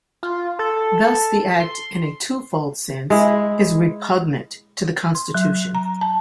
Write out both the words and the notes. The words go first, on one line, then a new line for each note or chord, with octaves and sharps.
Thus the act in a two-fold sense is repugnant to the Constitution.
F4
A4
C6
G#3 E4
C6
F#3
A#5
A5